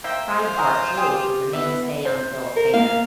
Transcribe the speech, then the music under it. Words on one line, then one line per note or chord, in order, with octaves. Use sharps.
Fried pork, too, was a "main-stay" on the bill-of-fare.
A#3 C5 E5 G5
F4 C5
F#4 G#4 A#4
C4 G4 G#4
E3 B3 E5
C5
A#4
A#3 F5